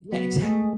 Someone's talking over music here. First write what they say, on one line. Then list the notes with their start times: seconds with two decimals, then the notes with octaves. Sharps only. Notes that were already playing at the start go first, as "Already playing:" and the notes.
Yeah, exactly.
0.12 F#3 B3
0.41 G#3 A3